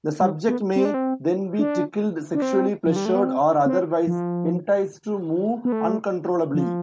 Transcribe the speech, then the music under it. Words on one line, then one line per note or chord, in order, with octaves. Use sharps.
The subject may then be tickled, sexually pleasured or otherwise enticed to move uncontrollably.
G3
B3
C4
D4
C4
D4
D4
C4
F3
G3
A3
B3
C4
C4
F3
B3
A3
F3